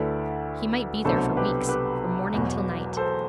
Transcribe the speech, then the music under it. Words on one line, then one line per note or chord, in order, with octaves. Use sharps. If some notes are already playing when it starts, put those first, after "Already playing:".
He might be there for weeks, from morning till night.
Already playing: D2 D3 A3 E4 B4 D5
C2 B2 F#3 A3 D4 A4 C5
G4 B4
G4 B4
E1 E2 B2 F#3
A4 C5